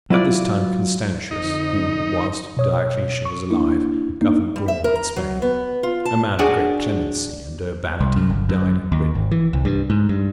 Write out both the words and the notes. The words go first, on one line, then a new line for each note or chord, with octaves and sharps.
At this time Constantius, who, whilst Diocletian was alive, governed Gaul and Spain, a man of great clemency and urbanity, died in Britain.
F#3 E4 F4 D5
F2 D3 D#4
B2 C#5 D#6
C#6
A#3 D4 E4
A#3 D4 D#4
G3
E5
A#4
A#5
F#3
B3
F4
A5
D4 F#4 G#4
C2
F#2
G1
F#2
D#2
G#1
E3
C2
G2
G#2
G2